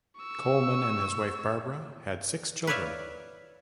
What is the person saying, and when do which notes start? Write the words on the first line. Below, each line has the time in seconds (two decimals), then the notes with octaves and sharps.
Coleman and his wife Barbara had six children.
0.20 C#6 E6
2.67 B4 C#5 D5 E5 F5